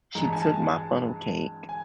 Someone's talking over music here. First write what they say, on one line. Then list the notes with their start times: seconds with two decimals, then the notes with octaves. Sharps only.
She took my funnel cake,
0.15 G2 E3 G#3 A#5
0.23 A5
0.33 G#5
0.42 A5
1.69 G#5